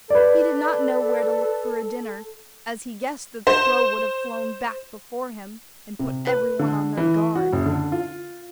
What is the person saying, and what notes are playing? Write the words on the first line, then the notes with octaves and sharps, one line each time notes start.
He did not know where to look for a dinner, as he guessed that the crow would have flown back before him, and put every one on their guard.
A4 B4 D5
C5
C3
B4
D3
E3
F#4
F#1
D3
F4